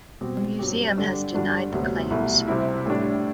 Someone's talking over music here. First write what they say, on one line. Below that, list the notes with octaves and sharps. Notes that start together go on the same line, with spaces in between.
The museum has denied the claims.
B2 G3 C4 G4
G2 F#3 C4 G4
D3 G3 D4 A4
G2 D3 G3 D4 F#4
D2 C3 F#3 B3
C2 B2 A3 E4
C3 G3 C4 E4
A2 G3 D4